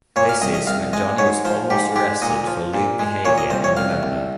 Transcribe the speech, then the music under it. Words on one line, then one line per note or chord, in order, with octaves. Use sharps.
This is when Johnny was almost arrested for lude behavior in November.
A#2 C#5
F5
C2 D#5
D#5
C2 F5
G#3 D#5
G#2 C#5
F3 C5
G#2 G4
G#3 G4
A#2 D#5
F3
A#2
G#3
A#2 C#5
D#5
C2 C5
C#5
C2 F5
C2